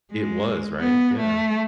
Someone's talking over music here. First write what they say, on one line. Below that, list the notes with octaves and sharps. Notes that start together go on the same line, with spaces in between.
It was, right? Yeah.
G#3
B3
A3